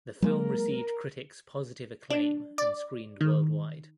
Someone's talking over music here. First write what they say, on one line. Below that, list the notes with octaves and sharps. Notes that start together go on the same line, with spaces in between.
The film received critics positive acclaim and screened worldwide.
F#3 G#3 A#3 A#4
D4
D5
D#3